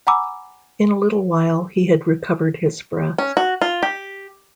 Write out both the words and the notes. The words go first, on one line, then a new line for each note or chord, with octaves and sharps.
In a little while he had recovered his breath.
F#5 G#5 A#5 B5 D6 E6
C#4
F#4
F4
G4